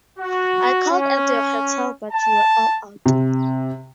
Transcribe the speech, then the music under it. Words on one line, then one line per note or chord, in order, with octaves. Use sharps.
I called at your hotel, but you were all out.
F#4
C#4
A5
C3